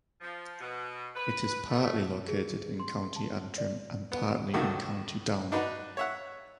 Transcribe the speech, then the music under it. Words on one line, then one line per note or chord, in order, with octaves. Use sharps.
It is partly located in County Antrim and partly in County Down.
F3
B2
B4
A3
G#4
C6
A5
D5
B3
C#2 D3 D#3 F#3 A3
D4 D#4 F#4 B4
C#5 E5 F#5